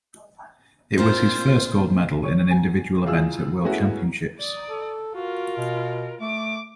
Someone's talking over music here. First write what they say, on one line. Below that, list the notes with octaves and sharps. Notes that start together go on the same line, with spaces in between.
It was his first gold medal in an individual event at world championships.
A#2 C4 D4 F4 C5
C#5 C#6
F#4 G#5
C#2 E4 F4 G#4 E6
G#3 A3 B3 C#4 E4 F#4
D5 D#6
A4
F4 F#4 A#4
B2
A3 D6